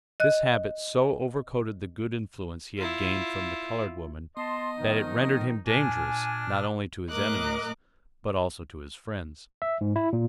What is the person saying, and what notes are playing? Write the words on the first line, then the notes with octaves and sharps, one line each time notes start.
This habit so over-coated the good influence he had gained from the colored woman, that it rendered him dangerous not only to his enemies, but also to his friends.
D#5 F#6
E4 F4
B3 D#5 A5 C6
D#3 F3 D#4
A#2 D4 G#5 F6
A2 A#4 D#5 D6 F#6
E5
G#2
E4
A#2